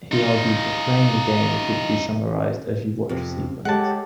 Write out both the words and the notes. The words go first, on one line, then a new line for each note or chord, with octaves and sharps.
He argued that playing the game could be summarised as you watch a sequence.
D#4 F4
F2 C3
G#3 G4 A4 C#5 F#5 A5